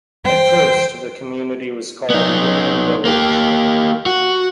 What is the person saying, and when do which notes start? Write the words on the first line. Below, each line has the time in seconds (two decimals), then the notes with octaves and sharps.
At first the community was called Union Village.
0.25 C5 G5
2.10 B3 D#4
3.05 A#3 G4
4.06 F#4